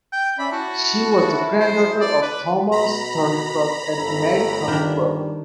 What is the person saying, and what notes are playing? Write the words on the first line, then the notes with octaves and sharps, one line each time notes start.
She was the granddaughter of Thomas Thornycroft and Mary Thornycroft.
G5
C#4 D5 E5 B5
E4 F#4 A5
C5
D5
B4
B2 A#5 B5
G1 A4
D#3 G3 D4